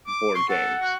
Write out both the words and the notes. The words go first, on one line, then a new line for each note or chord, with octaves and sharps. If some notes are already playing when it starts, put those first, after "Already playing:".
board games.
D6
C6 C#6
A4 F#5
F#4